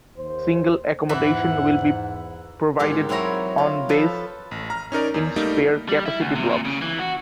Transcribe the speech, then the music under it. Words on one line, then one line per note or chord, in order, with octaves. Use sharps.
Single accommodation will be provided on base in spare capacity blocks.
D#2 C5
E2 G#2 E3 E4 F#5
E2 G#2 G4 A#4
F#3 C4 D#4 E4 C#5 A#5
F4
F3 A4 B4
A1
A#5 F6
C#4 D#4 A#4 D5
E2
G3 A3 A#3 D#4
G3
E4
D2
C3
A#2
C#3
E3
F#4